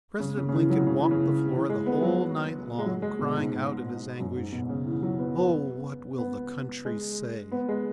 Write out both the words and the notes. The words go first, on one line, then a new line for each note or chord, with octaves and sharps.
President Lincoln walked the floor the whole night long, crying out in his anguish, "O what will the country say!"
C#3
C#3
C#3
E3
F#3
C#3
E3
C#3
E3
G#3
B3
F#3
G#3
F#3
G#3
B2
G#2
G#2
F#2
G#2
B2
C#3
E3
F#3
B3
B3
B3
G#3
B3
G#3